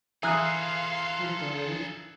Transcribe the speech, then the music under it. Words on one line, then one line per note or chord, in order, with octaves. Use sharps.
My gosh.
E3 G#4 A4 F5 A#5 C6 D#6 F#6